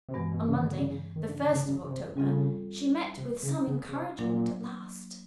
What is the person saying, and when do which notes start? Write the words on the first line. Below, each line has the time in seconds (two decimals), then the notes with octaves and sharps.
On Monday the first of October she met with some encouragement at last.
0.09 C3
0.14 G2 B2 E3 G#3 B3
0.31 B2
0.48 C#3
0.60 D#3
0.65 D3
0.78 C#3
0.90 C#3
1.16 D#3
1.28 D3
1.41 D3
1.53 C#3
1.66 C#3
1.84 C#3
1.90 C3
2.16 C#3 G3 C4 F4 A4
3.18 C3
3.43 C#3
3.67 C#3
3.88 C#3
3.93 C3
4.18 A#2 F#3 A#3 D4